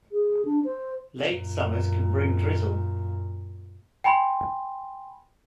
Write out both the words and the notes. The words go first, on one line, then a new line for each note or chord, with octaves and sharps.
Late summers can bring drizzle.
G#4
D4
C5
F#2 A#2
G5 G#5 B5 C6